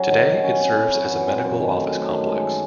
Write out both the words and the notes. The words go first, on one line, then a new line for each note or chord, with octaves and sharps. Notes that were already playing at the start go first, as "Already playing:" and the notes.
Today it serves as a medical office complex.
Already playing: F#3 C#4 G#4
D#3
F#3
C#4
C4
E4
F#3
E3
C4
F#2
D#3
A3
F#2
D#3
G#3